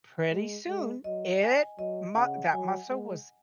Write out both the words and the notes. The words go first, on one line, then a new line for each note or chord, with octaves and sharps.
Pretty soon, it mu that muscle was
G#3
G#3
F#3 D#5
G#5
F#3 D#5
C#3 F#5
F#3 G#5
G#3